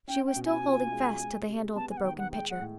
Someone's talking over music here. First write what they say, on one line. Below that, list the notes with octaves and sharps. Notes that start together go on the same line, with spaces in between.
She was still holding fast to the handle of the broken pitcher.
C#4 G5
G5
B2
G#5
F4
G#3
G#3
C3
B3 A5
G#5
F#5
D#3 G5
F#5
G#3 G5
F#5
A2